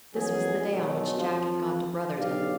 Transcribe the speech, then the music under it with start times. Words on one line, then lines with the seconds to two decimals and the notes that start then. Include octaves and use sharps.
This was the day on which Jack had gone to Brotherton.
0.15 F2 E3 F#3 G#4
0.70 B2 D3 F#3 G#3 A3
1.18 F2 F3
2.16 B1 D4 G4 D5 F5